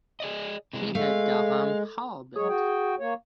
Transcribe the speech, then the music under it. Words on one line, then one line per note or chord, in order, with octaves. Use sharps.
He had Dalham Hall built.
G#4 D5 D#5
C3 E3 G#3
G#3 A3 F5
F#3 G#3 G#4 C#5
F#4 G5
A#3 C#5